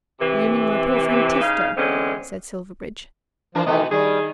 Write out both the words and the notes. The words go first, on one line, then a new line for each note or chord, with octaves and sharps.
"You mean my poor friend Tifto," said Silverbridge.
C3 E3
C#3 D#4 F5
E2 D3 G#3 C4 C#4
E3 F3 D4 A#4
B2 D#3 E3 A3 B3 D#5
D#3 G3 G#4